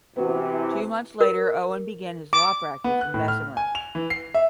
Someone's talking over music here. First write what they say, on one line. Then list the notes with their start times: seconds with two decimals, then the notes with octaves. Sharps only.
Two months later Owen began his law practice in Bessemer.
0.16 C3 E3 B3 F#4
1.21 A#4
2.33 D6
2.84 B3
3.01 F#6
3.14 A2
3.28 F6
3.57 G#5
3.75 F7
3.95 E3
4.10 C7
4.34 E5